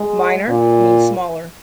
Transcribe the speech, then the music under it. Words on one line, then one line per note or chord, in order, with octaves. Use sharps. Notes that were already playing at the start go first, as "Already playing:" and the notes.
"Minor" means 'smaller'.
Already playing: G#3
A#2